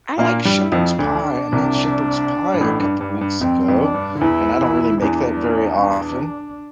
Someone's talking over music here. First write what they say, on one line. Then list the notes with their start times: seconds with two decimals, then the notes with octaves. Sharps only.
I like shepherd's pie, I made shepherd's pie a couple weeks ago, and I don't really make that very often,
0.18 A#2 A#3 D4
0.45 G2 G3
0.59 E4
0.72 F2 F3
0.99 D2 D3 D4
1.52 C2 C3
2.54 G2
2.61 A1 A2
2.80 G2
3.01 G2
3.21 G2
3.40 F2 C4
3.68 F2
3.81 D4
3.94 G2
4.15 D3
4.21 E2 E3 E4
4.61 E2 E3
5.02 E2 E3 D4
5.82 D4